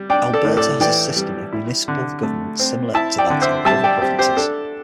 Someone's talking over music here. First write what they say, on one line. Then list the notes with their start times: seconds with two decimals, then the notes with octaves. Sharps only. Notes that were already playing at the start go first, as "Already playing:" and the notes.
Alberta has a system of municipal government similar to that of the other provinces.
Already playing: G3
0.10 D4 D5 G5
0.34 A4 D5
0.45 A2
0.57 A4 D5
0.80 E3 D5 G5
1.16 G3
1.53 E4
1.88 D3
2.23 A3
2.60 C4
2.94 E4 E5 A5
3.18 D5 G5
3.30 D3
3.42 C5 E5
3.65 G3 E5 A5
3.84 D5 G5
4.01 C4 G4
4.19 G4 C5
4.37 D4 A4